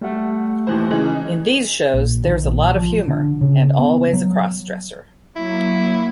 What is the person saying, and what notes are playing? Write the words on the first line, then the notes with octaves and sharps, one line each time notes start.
In these shows there's a lot of humor, and always a cross-dresser.
G3 A3 F#5
D#2 E3 C5
C#3 E3 D#4
A#1
D#3
A#1
F3
D3
C#3
B3
F#3
F#3 A#3 E4